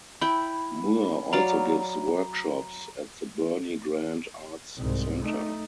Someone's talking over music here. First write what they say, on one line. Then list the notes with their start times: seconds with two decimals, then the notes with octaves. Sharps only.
Moore also gives workshops at the Bernie Grant Arts Centre.
0.21 E4 G5 B5
1.33 F#3 D5 F5 A#5
4.77 C2 G#2
5.23 A3 D#4